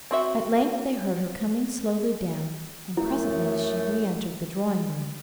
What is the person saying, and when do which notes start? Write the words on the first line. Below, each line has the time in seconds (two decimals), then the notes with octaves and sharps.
At length they heard her coming slowly down, and presently she reentered the drawing-room.
0.11 C4 F#4 E5
2.97 F#2 A3 E4